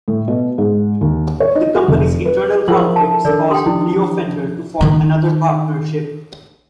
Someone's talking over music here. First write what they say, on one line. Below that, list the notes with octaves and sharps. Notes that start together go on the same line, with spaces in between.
The company's internal conflicts caused Leo Fender to form another partnership.
A2
B2
G#2
D#2
C#5
D#4
F#4
F1
B4
F3 E4 F4 G#4 A#4 F#7
A5
D#3 D4 A4 A#4 D5
G4 G5 C6 D#6
F3 D4 E4
D#3 D#4